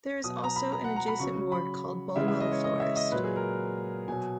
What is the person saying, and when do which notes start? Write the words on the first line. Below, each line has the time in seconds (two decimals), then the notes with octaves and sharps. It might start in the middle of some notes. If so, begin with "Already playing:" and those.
There is also an adjacent ward called Bulwell Forest.
0.24 B2 F#3 D#6
0.44 A#5
0.56 B5
0.72 A#5
0.84 F#5
0.96 A#5
1.08 B5
1.19 C#3 F#3 C#6
1.52 B5
2.16 C#3 E3 G#3 E5
2.28 E5
2.40 D#5
2.52 C#5
2.64 D#5
2.80 E5
2.96 D#5
3.12 A#2 F#3 B4
3.24 G#4
3.36 A#4
4.08 B2 F#3 G#5